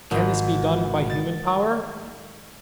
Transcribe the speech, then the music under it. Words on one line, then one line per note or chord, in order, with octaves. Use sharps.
Can this be done by human power?
G#1
A6